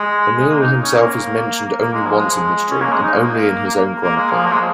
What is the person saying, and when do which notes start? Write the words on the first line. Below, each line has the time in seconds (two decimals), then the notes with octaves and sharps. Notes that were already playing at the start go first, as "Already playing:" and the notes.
Ernoul himself is mentioned only once in history, and only in his own chronicle.
Already playing: G#3
0.50 A#3
0.61 D#4
0.83 C#4
0.94 A#3
1.81 A#3
1.93 G#3
2.06 F3
2.18 G#3
2.70 C#4
2.81 A#3
2.92 G#3
3.03 D#4
3.14 A#3
4.02 A#3
4.16 G#3
4.31 F3
4.46 A#3
4.53 G#3